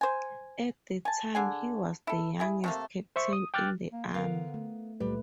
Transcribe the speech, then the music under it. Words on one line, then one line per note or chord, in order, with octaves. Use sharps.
At the time he was the youngest Captain in the army.
C5 G#5
G#5 A5
D3 G#4 G#5
E4 A4
E4 G#4
C3 A3 A#3
C5 E5 C#6
D#6
G5 D6 F6 F#6 A6
A#3
D3 B3 A#4 F5
A3
C#2 A#2 G3 A3 B4